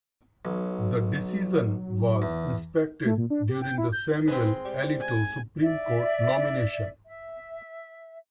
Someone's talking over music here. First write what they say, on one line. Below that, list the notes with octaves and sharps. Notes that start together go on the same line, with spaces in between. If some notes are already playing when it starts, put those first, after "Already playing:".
The decision was inspected during the Samuel Alito Supreme Court nomination.
B1 F#3
E2
A3
A#2
D4
G4
G5
E4
G6
G#3 C4 B4 C5
G3
G#5
D5 E5
E5